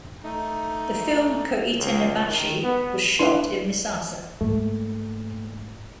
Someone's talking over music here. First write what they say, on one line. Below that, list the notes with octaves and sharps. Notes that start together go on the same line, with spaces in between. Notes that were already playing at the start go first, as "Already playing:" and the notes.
The film "Koitanibashi" was shot in Misasa.
A3 D#4
C#2
D#3
B3
D4 E4 B4 C6
G#2 A3 A#3